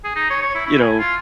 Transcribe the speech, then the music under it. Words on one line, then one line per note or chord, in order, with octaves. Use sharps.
you know,
G#4
D#4
C#5
C#5
E4
E4
G#5
F4